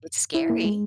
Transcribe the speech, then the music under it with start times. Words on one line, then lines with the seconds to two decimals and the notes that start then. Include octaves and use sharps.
it's scary.
0.35 E4
0.50 A#3
0.65 G#3